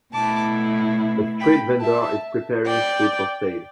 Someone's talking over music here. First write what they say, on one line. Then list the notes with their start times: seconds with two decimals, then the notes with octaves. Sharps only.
A street vendor is preparing food for sale.
0.14 B2 A3 E4 A5 D6
1.40 G5 B5
1.81 E5 A5
2.66 D5 G5